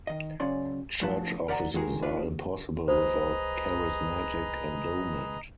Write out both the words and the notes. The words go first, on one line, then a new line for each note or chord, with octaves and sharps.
Church offices are impossible without charismatic endowment.
D#3 D#5
C#3 F#3 C#4 D5 C6
F#2 A2 F3 B4 A5
A#4 B4 D5 F#5 A#5
D#3 G#3 F#4 G#4 A#4
D4 F4 B4
C2 G#4 B4 C5 D#5 A#5